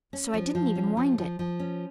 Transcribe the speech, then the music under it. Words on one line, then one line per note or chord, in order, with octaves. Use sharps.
So I didn't even wind it.
C#4
F3
F3
C#4
F3
F3
F3
C#4